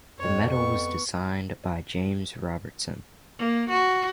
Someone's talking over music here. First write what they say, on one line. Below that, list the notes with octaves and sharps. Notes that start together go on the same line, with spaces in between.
The medal was designed by James Robertson.
F2 C#5
B3 C#6
A#3
F#4